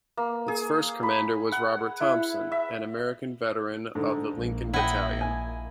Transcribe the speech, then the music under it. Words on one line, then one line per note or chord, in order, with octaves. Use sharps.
Its first commander was Robert Thompson, an American veteran of the Lincoln Battalion.
A#3
G#4
B5
F#5
E4
E5
G#2 D3
A#1 A#3
E4 D#5 F#5 G5
G#5